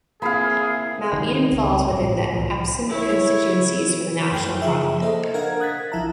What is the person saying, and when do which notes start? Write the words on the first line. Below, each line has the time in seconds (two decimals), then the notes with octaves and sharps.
Mount Eden falls within the Epsom constituencies for the national Parliament.
0.22 A#3 C4 E4 G#4 F5 B5
1.13 D#3
1.52 C#2
1.89 A#1 A2 G3
2.07 A2
2.30 C2 A2 E3 F3
2.89 E4 C#5
4.31 F#2 A3 G5 C7
4.62 C#3 F3 G#4 E5
5.01 A#3 A4 C5 D#5 E5
5.34 D4 A#4 F5 F#5 G#6
5.60 D#6 F#6 G#6 A6 B6
5.92 A#1 F3 E4 E5 A5 A#5